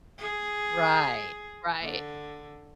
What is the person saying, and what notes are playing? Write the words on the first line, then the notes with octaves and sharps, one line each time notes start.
Right, right.
G#4
D3